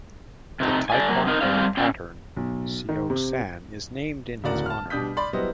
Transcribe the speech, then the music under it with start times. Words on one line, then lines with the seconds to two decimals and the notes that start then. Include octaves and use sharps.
The Taekwon-Do pattern Seo-San is named in his honor.
0.60 C3 A3 D#4
0.90 A4 D5 G#5
1.09 F#3 A#3
1.27 C4 D#4 A#4
1.41 G3 C4 C5 D5 F5
1.77 C#4 D5 G5
2.36 B1
2.89 D#3
3.10 C3
4.44 D1 A2 C#3 F#4 A#4 D5
4.66 A5 F6
4.90 B2 G3 D4 D#6 G6 B6
5.17 D5 B5 C6
5.33 F#3 G3 B3 E4 C5 D#5